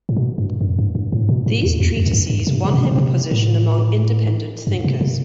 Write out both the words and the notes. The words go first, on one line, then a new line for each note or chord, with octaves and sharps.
These treatises won him a position among independent thinkers.
A2
B2
G2
F#2
G2
G2
A2
B2
A2
E2
E2
F#2
F#2
G2
G2
C3
C3
B2
C3
B2
C3
A2
G2
C3
C3